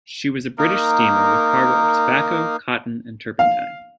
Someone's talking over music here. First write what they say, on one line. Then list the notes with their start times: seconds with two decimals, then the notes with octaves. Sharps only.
She was a British steamer with cargo of tobacco, cotton, and turpentine.
0.58 A#3 D#4 A#4
3.39 F5